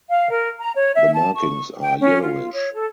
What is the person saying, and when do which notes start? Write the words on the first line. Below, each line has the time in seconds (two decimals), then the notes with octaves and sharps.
The markings are yellowish.
0.08 F5
0.29 A#4
0.59 A#5
0.75 C#5
0.94 E5
1.14 A5
1.34 C#6
1.81 G5
1.99 C#4
2.21 F4
2.53 C#5
2.72 A4